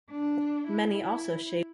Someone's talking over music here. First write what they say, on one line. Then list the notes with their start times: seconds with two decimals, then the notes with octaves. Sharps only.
Many also shave their head as this is considered hygienic.
0.11 D4
0.68 E4